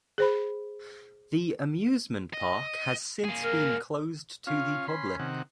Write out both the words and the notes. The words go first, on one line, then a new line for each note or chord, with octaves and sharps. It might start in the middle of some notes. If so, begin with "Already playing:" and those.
The amusement park has since been closed to the public.
G#4 C5 B5
D#5
A#3 G#4
A#4
C#4 F4 F5
C#4 B5 C6
C3 D#3 F#5